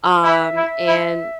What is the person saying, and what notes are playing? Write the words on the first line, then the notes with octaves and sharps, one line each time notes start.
um, and
E4 E5
E4
E4